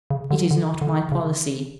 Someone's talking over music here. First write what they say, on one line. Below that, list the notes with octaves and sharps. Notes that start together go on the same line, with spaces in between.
It is not my policy.
C#3
D3
D3
D3
C#3